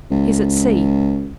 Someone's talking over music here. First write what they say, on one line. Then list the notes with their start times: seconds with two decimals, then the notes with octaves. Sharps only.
He's at sea.
0.11 C#2